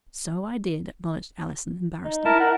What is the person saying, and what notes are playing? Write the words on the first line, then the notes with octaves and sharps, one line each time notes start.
"So I did," acknowledged Allison embarrassedly.
D#4
E4 A#4 A5
A#4 F#5